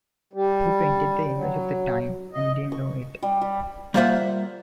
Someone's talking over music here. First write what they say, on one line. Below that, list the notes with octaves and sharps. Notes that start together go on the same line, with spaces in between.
He painted the image of the time and didn't know it.
G3
F#3
D#5
C#6
G3
G3
G3 A#3 F4 C5 E5 F#5